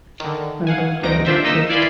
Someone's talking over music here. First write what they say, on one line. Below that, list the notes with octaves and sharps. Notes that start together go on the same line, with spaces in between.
I don't care about truth.
D3 D#3
F5 F#5 G#5
D2 C3 D#4 A#6 D7
D4 F4 C5 E5 G5
A#3 D#4 D#5 E6 B6
E4 D5 F5 G#5 B5 C6